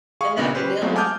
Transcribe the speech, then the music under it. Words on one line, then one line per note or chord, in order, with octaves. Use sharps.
and that vanilla.
G#4 F5 C#6
A#2 C#3 B3 D4
C#4 G4 B4 C5
F#3 G#3 A3 B3 C4 F4
G#5 A5 D6 D#6 F6 G6